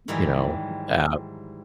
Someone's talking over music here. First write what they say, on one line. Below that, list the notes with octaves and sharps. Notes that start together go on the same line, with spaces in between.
you know, um
G#2 D#3 E3 F#3 G3